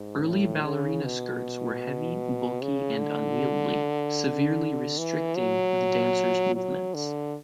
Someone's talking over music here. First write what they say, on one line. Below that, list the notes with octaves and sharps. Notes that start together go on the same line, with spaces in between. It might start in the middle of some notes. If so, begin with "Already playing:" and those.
Early ballerina skirts were heavy, bulky and unwieldy, severely restricting the dancer's movements.
Already playing: G#2
A2
C#3
B2
C#3
D3
E3
F#3
F#3
D3